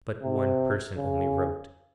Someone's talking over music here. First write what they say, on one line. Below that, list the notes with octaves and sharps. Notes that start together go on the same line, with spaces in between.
"But one person only wrote!"
C3
C#3